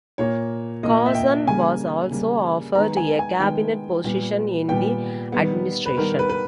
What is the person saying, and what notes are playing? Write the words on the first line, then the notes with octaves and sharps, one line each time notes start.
Carson was also offered a cabinet position in the administration.
A#2 A#3 C#5
A#2 A#3 D#5
E5
G5
C#3 G3 A#3 G#5
C#3 G3 A#3
D#3 G#3 B3 A#5
G#5
G#5
D#3 G#3 B3 G5
A#2 G3 B3
A#2 G3 B3 G5
D#3 G3 B3
B4
D#3 G3 B3 A#4
B4
B4